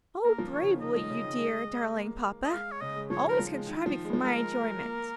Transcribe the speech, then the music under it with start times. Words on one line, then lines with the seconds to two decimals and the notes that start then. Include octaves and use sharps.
"Oh, bravely, you dear darling papa! always contriving for my enjoyment."
0.24 A#3 A#4
0.38 F3
0.53 D#3 C#5
0.61 C#3
0.67 D#3
0.81 D#3 D#5
0.96 F3
1.10 C#3
1.24 D#3
1.38 G#3
1.96 A#3
2.45 D#5
2.53 G#3 F5
2.72 C#5
2.81 C#3 D#5
2.96 G#3
3.10 F3 C#5
3.25 D#3 A#4
3.39 F3
3.53 G#3
3.67 D#3
3.86 F3
4.05 G#3
4.13 F3
4.21 G#3 A#4
4.82 A#3